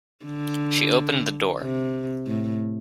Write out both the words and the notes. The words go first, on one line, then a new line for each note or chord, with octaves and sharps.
She opened the door.
D3
C3
A2